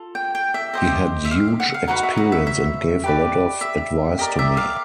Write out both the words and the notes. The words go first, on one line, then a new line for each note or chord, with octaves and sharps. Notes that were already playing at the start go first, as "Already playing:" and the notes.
He had huge experience and gave a lot of advice to me.
Already playing: F4 A4
G5
G5
E5
G4 C5 D#5
E5
F5
F#5
F5
D#4 F#4 B4 D#5 F#5
E5
D#5
E5
E5
G4 B4 D5
E5
G4 A#4 D5 D#5
E5
F5